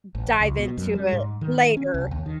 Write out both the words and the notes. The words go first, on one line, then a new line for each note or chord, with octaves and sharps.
m dive into it later,
A1
C#2
B2
F#2
G3
G#2
D#3
C#4
C2
D#2
D#3